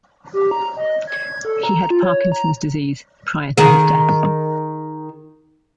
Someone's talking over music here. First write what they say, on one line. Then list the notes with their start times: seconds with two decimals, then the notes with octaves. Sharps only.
He had Parkinson's disease prior to his death.
0.33 G4
0.51 A#5
0.77 D#5
1.07 G#6
1.45 A4
1.63 A#5
1.90 F4
2.03 C#5
2.32 A#5
3.58 D#3 G#4